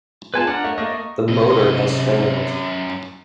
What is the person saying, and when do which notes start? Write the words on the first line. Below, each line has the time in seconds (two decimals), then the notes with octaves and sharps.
The motor has failed.
0.34 G#3 B3 F4 B4 G#5 A5
0.47 D4 A#4 F#5
0.64 A3
0.78 A3 A#3 D#5
1.28 F#2 C3 D#5